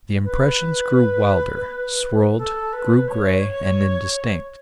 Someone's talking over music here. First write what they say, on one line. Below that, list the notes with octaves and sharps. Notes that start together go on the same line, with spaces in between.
The impressions grew wilder, swirled, grew gray and indistinct.
B4
A4
B4
C#5